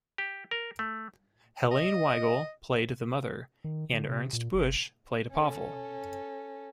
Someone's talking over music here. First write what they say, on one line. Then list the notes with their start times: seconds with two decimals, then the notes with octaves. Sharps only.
Helene Weigel played the Mother and Ernst Busch played Pavel.
0.18 G4
0.51 A#4
0.79 A3
1.71 D#5
3.64 D#3
3.93 D3
4.09 C3
4.33 A#2
4.54 G1
5.30 C#4 A4